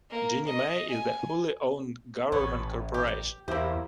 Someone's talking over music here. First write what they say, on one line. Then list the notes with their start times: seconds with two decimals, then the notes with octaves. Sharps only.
Ginnie Mae is a wholly owned government corporation.
0.11 A#3
0.47 D#5
0.90 G#5
2.32 A1 B3 C#5
2.94 G4
3.48 E2 A#3 E4 G4 C5